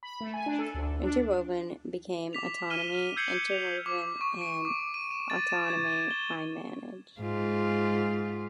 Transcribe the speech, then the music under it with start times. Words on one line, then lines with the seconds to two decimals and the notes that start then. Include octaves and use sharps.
Interwoven became Autonomy Interwoven and Autonomy iManage.
0.03 B5
0.21 A3
0.34 G#5
0.46 D4
0.59 A4
0.74 D2
1.03 D4
2.33 D6 B6 F7
2.70 F6 D#7 E7 G7
3.16 E6 G6 G#6 C7 C#7 F#7
3.51 F7
3.86 D6
4.21 C#6
4.41 D7
4.65 D6
4.94 D#7
5.11 E7
5.30 A6
5.49 E7
5.70 G#6
6.11 G7
7.20 G#2 F4